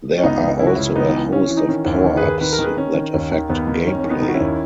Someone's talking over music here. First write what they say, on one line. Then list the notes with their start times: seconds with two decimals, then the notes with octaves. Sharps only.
There are also a host of power-ups that affect gameplay.
0.18 C#4
0.23 C#2 B3 D#4
0.42 C#2
0.59 C#3 E4
0.67 F#4
0.75 C#2 C#4 E4
0.96 C#2 B3 D#4
1.14 E3
1.32 E3 C#4
1.50 E3
1.57 D#4
1.69 D#3 C#4
1.86 D#2
1.93 C#4 E4
2.04 D#3
2.17 G#4 B4
2.22 D#2
2.41 D#3 B4
2.53 A#4
2.59 D#3 G#4 B4
2.77 D#3 C#4
2.95 D#3
3.13 D#2 C#4
3.31 D#3
3.49 D#2 B3
3.67 D#3
3.86 D#2 C#4
3.99 D#3 C#4
4.10 B3 D#4
4.22 D#3
4.28 F#4
4.34 C#4 E4
4.40 D#2